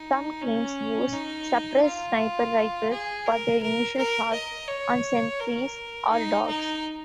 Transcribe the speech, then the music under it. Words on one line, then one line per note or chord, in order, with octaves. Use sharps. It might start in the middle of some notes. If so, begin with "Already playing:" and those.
Some teams use suppressed sniper rifles for their initial shots on sentries or dogs.
Already playing: D#4
C#4
D#4
F4
G#4
A#4
A#4
A#4
D#5
C#5
A#4
D#4
D#4